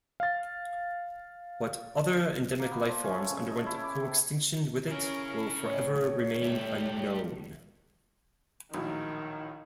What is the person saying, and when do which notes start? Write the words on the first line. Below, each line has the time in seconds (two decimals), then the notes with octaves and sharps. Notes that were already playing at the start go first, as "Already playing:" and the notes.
What other endemic lifeforms underwent coextinction with it will forever remain unknown.
0.20 F5 A6
2.60 A#3
2.71 B3
2.88 F3
3.03 C#4
3.18 A3
3.31 C#3
3.51 D#5
3.66 E4
3.83 D6
4.01 C3
4.88 C#3 C#4 E4 A#4
5.63 A2 C#5
6.41 A2 G3 A3 E5
8.74 A#1 A2 D#3 F#3